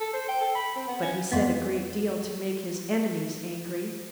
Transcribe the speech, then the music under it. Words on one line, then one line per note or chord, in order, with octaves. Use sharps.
But he said a great deal to make his enemies angry.
A4
C5
G5
A4
B5
C4
B3
C#4
F2 B3